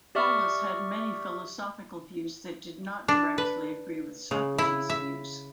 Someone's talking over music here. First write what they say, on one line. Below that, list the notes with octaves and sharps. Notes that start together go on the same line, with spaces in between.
Polus had many philosophical views that did not directly agree with Socrates views.
G4 D5 E5 C#6 F6
D4
B4
C#3
E4
E5